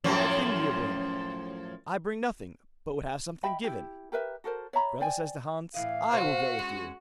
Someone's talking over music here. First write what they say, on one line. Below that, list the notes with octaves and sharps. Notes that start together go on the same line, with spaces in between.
What good thing do you bring?' 'I bring nothing, but would have something given.' Gretel says to Hans: 'I will go with you.'
F#2 A2 F3
D#5 E5 G5 B5
E4 G4
G4 A#4 B4 E5
F#4 A4 A#4 C5
C#5 E5 A#5 B5
C5 D5 G5 G#5
A2 E3 D#5 F5
C3 F#4 C5
G#3 C#4